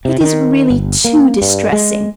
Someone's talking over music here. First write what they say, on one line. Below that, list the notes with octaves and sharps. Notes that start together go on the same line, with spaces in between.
It is really too distressing.
C3
D#3
G1
A#3
G2
G#3